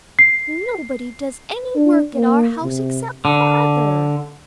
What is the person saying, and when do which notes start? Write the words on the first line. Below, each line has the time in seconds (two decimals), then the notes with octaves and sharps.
"Nobody does any work at our house except father."
0.19 C7
1.76 D4
2.15 A#3
2.63 C3
3.25 D3